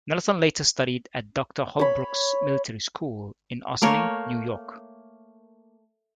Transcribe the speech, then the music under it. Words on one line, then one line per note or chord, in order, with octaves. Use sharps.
Nelson later studied at Doctor Holbrook's Military School in Ossining, New York.
C#5 B5
A3 A#3 A#4 C#5